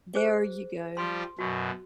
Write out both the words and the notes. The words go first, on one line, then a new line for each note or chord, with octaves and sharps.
There you go.
G#4 C5
F3 G3 G4 C6
F#2 B2 F#4